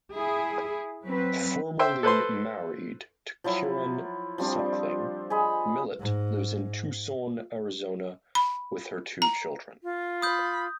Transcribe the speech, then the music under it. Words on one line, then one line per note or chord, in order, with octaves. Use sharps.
Formerly married to Kieran Suckling, Millet lives in Tucson, Arizona with her two children.
E4 G#4
F#3 C4 B4
C5 E5 G5 C6
A4 B4 C5 C6
F3 F#3 E4
F3 G3 C4 D4
G#4 D#5 B5
G#2
B5
A#5
F4
B5 D#6 G6